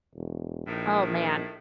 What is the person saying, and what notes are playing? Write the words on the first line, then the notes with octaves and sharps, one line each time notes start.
oh man.
E1
A#1 A2 D#3